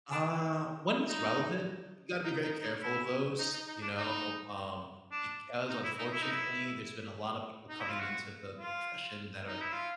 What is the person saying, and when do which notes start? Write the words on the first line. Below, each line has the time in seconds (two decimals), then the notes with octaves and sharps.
Uh, when it's relevant, you gotta be very careful of those, you know, um, because unfortunately there's been a lotta people coming into the the profession that are just
0.12 D4
1.09 D#4
2.24 D#4
2.43 D#4
2.61 D#4
2.82 E4
3.39 D#4
3.54 D#4
3.67 D#4
3.82 D4
3.96 D#4
5.11 D4
5.70 D#4
5.84 E4
5.98 D#4
6.12 E4
6.22 D#4
6.30 E4
7.69 D#4
7.80 E4
7.89 F4
7.99 F#4
8.58 F4
9.47 D#4
9.61 E4
9.72 F4